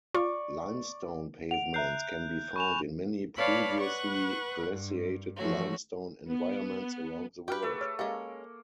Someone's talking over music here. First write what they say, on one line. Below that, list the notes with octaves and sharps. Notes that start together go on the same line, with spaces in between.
Limestone pavements can be found in many previously-glaciated limestone environments around the world.
F4 D5 C#6
F#5 D7 F7
E5 A#5 F#6 G6 C7
G#5 B5 C#6 E7 F7
B4 C#5 D5 F5 A5 B5
B4 F#5 C#6 F#6
G2
E3 F3 A3 F#4 C#5
B3
F#4 G4 B4 G5 F6
A3 A4
C#5 F6
G#3 A#3 C#4 G4 E5